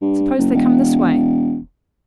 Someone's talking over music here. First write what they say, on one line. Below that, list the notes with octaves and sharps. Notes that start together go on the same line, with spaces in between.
Suppose they come this way.'
G2
F#1
E1